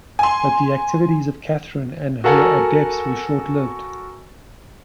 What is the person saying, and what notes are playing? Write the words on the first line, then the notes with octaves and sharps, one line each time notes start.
But the activities of Catherine and her adepts were short-lived.
G#5 C6
F#4 A4 A#4 F#5 G#5